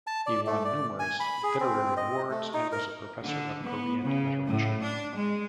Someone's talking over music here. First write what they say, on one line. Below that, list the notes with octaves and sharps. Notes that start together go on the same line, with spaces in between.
He won numerous literary awards and was a professor of Korean Literature.
A5
D5
A3
D5
G#5
B5
G#4
C4
D#5
A3
D#4
A#4
D3
B3
C#3
A2
D4
G#3